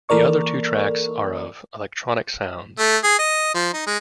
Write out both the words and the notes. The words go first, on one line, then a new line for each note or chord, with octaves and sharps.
The other two tracks are of electronic sounds.
E3 A#3 A4 A#4 D5 C#6
A3
G#4
D#5
F3
D#4
G#3